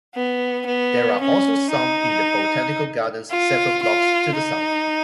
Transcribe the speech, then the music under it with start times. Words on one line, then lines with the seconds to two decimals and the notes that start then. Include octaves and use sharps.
There are also some in the Botanical Gardens several blocks to the south.
0.14 B3
0.66 B3
1.19 C#4
1.71 D#4
3.29 F4
3.82 F4
4.34 D#4